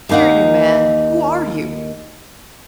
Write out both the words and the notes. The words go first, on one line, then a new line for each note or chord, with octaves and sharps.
Here, you man, who are you?
D#2 A#3 D#4 F5 F#5